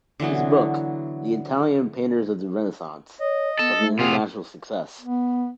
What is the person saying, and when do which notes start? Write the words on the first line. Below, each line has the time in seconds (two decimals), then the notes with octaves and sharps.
His book "The Italian Painters of the Renaissance" was an international success.
0.20 D3 E3 F#3 B3
3.20 C#5 D#5
3.59 B3 A4
3.79 A3
3.99 C3 C4 F4 G#4 F5 F#5
5.01 B3